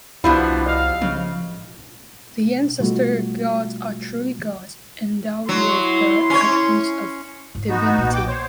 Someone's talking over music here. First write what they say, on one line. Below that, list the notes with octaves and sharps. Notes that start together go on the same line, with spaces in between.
The ancestor-gods are truly gods, endowed with the attributes of divinity.
C2 B2 F3 G3 B3 D4 E4 F5
D#5 F5
C#3 F3
B2 G3 A3 F4 F#4
F#3 E4 C6
C#4 C#5
G#2 E3
B3 D#4 F#4
B1 A#2
G5 D6
C5 C#5